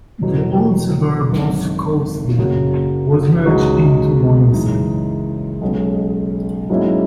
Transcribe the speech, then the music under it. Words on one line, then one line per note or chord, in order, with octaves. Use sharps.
The old suburb of Colmslie was merged into Morningside.
E1 E2 B2 F#3
G#1 F#2 D#3
F#1 F#2 C#3 F#3 A#3
C#2 C#3 G#3 D#4 F#4
F#1 F#2 E3 G#3 D#4
B1 B2 G#3 C#4
G#2 F#3 A#3 C#4 E4